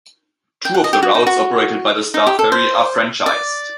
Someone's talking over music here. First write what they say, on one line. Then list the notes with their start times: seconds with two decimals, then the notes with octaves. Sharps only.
Two of the routes operated by the Star Ferry are franchised.
0.65 G5
0.74 F#5
0.84 D#5
0.93 G4
1.03 F#4
1.15 D#4
1.27 F#4
2.14 D#4
2.27 G4
2.39 A4
2.52 C5
3.26 D5